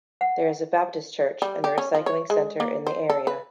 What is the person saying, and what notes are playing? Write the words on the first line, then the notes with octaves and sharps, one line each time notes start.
There is a Baptist church and a recycling center in the area.
F#5
G3
G4
C#4
F3
C#5
G#3
A#3
C5
A4
B4